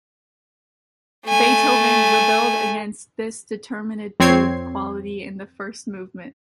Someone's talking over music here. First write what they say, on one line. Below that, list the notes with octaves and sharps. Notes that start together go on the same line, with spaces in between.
Beethoven rebelled against this determinative quality in the first movement.
A3 G#5
F2 C4 C#5 G#6 C7